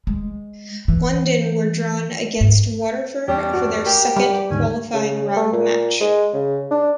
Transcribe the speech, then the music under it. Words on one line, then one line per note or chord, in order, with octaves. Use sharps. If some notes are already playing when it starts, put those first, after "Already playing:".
London were drawn against Waterford for their second qualifying round match.
G#3
E3
G#2
E2 G3 C#4 D4 G4 D5
G2 F#4
G4 A#4
G3 D6
D#2 G#2 D3 C#4 G#5
C#3
A3
A#2
G#3
C#3
D4